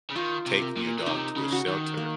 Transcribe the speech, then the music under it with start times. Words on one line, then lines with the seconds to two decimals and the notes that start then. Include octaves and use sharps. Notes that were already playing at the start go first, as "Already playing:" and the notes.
taking your dog to a shelter
0.10 C#3
0.15 D#3 F4
0.46 C3
0.62 A#4
0.76 A#2
0.98 A#2
1.06 C3 D#4
1.36 C#3
1.52 F#4
1.67 D#3
1.97 A#3